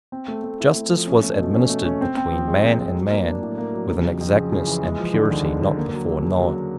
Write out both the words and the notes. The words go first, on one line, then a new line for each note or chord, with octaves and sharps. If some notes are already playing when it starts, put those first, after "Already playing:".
Justice was administered between man and man with an exactness and purity not before known.
C4
A3
A3
E4
A3
F3
C#4
A3
B2
C#4
A3
C#4
C4
C4
F3
G#3
C4
C4
F#3
A#3
D4
A2
A#3
F#3
C#3
F2
F2
C#3
C#3
E3
G#3
F3
D3
D#2
G#3
D3
A#3
F#3
F#3
C#3
F#3